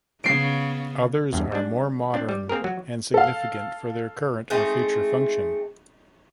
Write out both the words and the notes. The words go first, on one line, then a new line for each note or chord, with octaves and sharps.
Others are more modern and significant for their current or future function.
C#3 B3 C7 D7
E2 G2
G3 D4
C4 D4
G3
A#3 C4 G#4 A#4
F#3 F#4
A4 F5
G#3 A3 C4 D#4